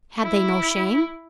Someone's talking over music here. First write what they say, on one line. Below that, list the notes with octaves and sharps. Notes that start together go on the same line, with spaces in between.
Had they no shame?
E4